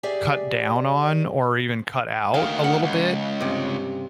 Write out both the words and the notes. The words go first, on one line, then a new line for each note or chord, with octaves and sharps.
cut down on, or even cut out a little bit,
G4 G#4 D5 E5
D2 D#3 F5
F#5
C#2
G2 C3